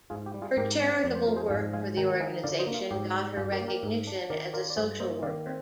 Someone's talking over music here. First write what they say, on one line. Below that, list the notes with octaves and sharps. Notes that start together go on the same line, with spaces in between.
Her charitable work for the organisation got her recognition as a social worker.
G#2 F4 G#4
G4
G3
F4 G#4
G#2 G4 A#4
C4
F2 D5
C5
F3 A#4
G#4 C5
G#2 F5 G#5
G#3 F5 G#5
D#3 G5 A#5
D#4 F5 G#5
D3 D5 F5
C5 D#5
A#3
F4
G#2 G4
G3
G2 F4 G#4
G4 A#4
A#3
G4 A#4
G#2
D4
D#3 A#4 D5
F4 A#4 D5
D5
G2 G#4 C5
A#3 C5 D#5
D#3 D5 F5
C4